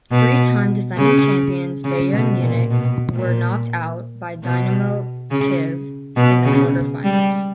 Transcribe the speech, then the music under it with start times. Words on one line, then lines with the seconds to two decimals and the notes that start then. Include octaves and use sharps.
Three-time defending champions Bayern Munich were knocked out by Dynamo Kyiv in the quarter-finals.
0.11 B2
0.97 C#3
1.84 C#3
2.13 B2
2.42 A#2
2.71 B2
3.14 A#2
4.44 B2
5.31 C#3
6.17 B2
6.45 C#3
7.04 G3